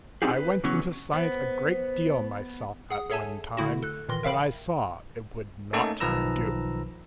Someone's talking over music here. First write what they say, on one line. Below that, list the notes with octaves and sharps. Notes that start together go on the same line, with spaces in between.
I went into science a great deal myself at one time; but I saw it would not do.
C4 D4 D#4 F4 G4 G#4
B4
C#3 E3 F#3 B3 C#4
B3 C5
G#4 F#5 D#6
G#4 A4 C#5 E5 G#5 A5
D3 A3 E4 F#4
A4 F#6
A#2 D#3 E3 C6 A#6
A#4 E5 F5 G5 B5
A3 A#3 C#4 D#4 A4
B1 D#3 F3 B4 A#5 E6